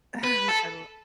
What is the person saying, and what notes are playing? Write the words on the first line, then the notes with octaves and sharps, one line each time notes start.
Ah, I l
B4
A4